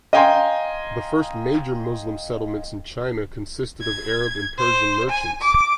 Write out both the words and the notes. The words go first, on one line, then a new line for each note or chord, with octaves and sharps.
The first major Muslim settlements in China consisted of Arab and Persian merchants.
D#5 F5 G5 G#5 A#5 C6
G#6
C5
G#5
D6